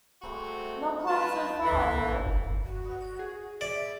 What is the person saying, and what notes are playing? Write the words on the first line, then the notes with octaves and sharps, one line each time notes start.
Not quite so far, I hope?
G#3 A3 C4 F#4
D4 B4 A5
D3 E3
F#4
G#4
D5 E5